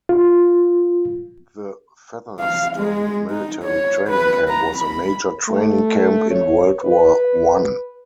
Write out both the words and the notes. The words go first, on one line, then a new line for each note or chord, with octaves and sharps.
The Featherston Military Training Camp was a major training camp in World War One.
F4
F5
G#3
D#4
C#5
B4
A#5
B5
A3
C#5
B4